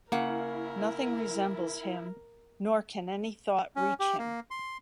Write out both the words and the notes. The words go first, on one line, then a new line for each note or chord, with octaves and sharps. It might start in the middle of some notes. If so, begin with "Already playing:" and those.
Nothing resembles Him nor can any thought reach Him.
C#3 A#3 E4 A#4 F#5
C#4
G4
A#3
C6